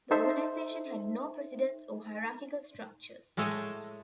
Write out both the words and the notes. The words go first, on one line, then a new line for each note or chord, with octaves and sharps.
The organization had no presidents or hierarchical structures.
D#4 A4 C5 E5
A2 G#3 A3 A4 C#5 D#5